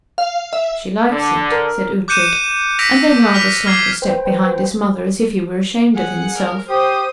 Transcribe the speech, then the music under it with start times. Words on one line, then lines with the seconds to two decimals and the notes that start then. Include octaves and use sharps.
"She likes it," said Ughtred, and then rather slunk a step behind his mother, as if he were ashamed of himself.
0.18 F5
0.53 E5
1.09 D3
1.51 A#4
2.08 D6 F#6 G6 C#7 D#7 E7
2.79 E6 A#6 B6 D7 F7
3.34 F6 B6 F7
3.66 D6 F6 G#6 C7 G7
4.02 B4 C5 G5
5.96 G#4 F#5
6.37 A#4
6.69 G4 C5 D#6